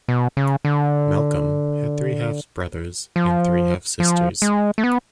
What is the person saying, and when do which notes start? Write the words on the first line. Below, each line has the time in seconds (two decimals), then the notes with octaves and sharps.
Malcolm had three half-brothers and three half-sisters.
0.08 B2
0.37 C#3
0.65 D3
3.16 F3
4.00 F3
4.42 G#3
4.78 A3
4.84 B3